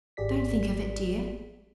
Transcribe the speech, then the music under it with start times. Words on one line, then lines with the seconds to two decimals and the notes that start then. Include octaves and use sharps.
'Don't think of it, dear.
0.17 G#1 G4 G#4 D5 B6